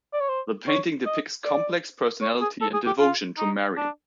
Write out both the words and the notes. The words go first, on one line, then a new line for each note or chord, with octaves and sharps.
The painting depicts complex personality and devotion to Mary.
D5
C#5
C5
C#5
D#5
D5
C#5
G#4
A4
G#4
G4
F4
D#4
D4